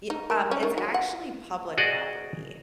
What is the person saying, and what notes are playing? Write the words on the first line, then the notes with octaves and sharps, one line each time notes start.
Ye um, it's actually public property.
D#4
A#4
C#4
D#3
F#3
F#5
F#4 G#4 D5 D#5